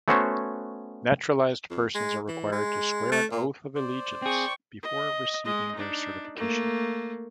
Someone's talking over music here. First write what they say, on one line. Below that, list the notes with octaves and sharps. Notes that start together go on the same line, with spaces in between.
Naturalised persons are required to swear an oath of allegiance before receiving their certification.
A3 B3 C#4 F#4 C5 C#5
F2
G#3
E3
G#3
A3
A#2
C5 D5
C4 G#4 G5 C#6
D#5
G#3 D#5
D4 D#4
A3 A#3